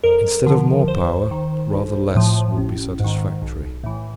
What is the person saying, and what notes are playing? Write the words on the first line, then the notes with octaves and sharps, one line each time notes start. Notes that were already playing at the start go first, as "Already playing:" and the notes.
Instead of more power, rather less would be satisfactory.
F2 A#4
D3 F3
D#2 C5
D#3
B1
A2 F3
A1
G#2 D#3
B1
A2 E3